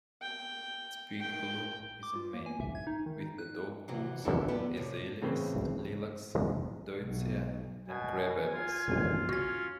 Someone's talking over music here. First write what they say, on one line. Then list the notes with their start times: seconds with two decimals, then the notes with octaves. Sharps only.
Its peak bloom is in May, with the dogwoods, azaleas, lilacs, deutzia and crabapples.
0.22 G5
1.20 G5
2.03 D6
2.15 F4
2.34 A#3
2.46 G#5
2.60 E5
2.75 G#6
2.87 D#4
3.06 D#3
3.20 D#4
3.38 F#6
3.88 C3 D#3 E3 F#3 F#4
4.24 E3 G#3 B3 E4 G4 A4
4.48 D3 B3 F4 G4 A4 B4
4.76 A2 C3 A3 A#3
5.22 A2 C#3 E3 C4
7.01 B1
7.88 B2 G#5
8.53 F4
9.29 C#4 F#4 G#6